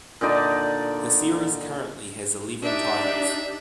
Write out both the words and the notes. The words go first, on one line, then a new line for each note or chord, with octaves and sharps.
The series currently has eleven titles.
A#2 D3 D#4 D5
D4 D#4 G4 E5